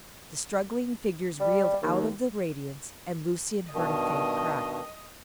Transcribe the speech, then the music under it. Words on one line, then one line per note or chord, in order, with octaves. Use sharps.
The struggling figures reeled out of the radiance and Lucian heard a faint cry.
G3
D#2
G2 B2 D#3 D#5